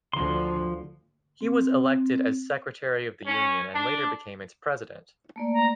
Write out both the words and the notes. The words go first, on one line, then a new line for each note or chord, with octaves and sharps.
He was elected as secretary of the union and later became its President.
D2 D3 F3 C6
C4
C#4
D4
A3 A#3 D5
A#5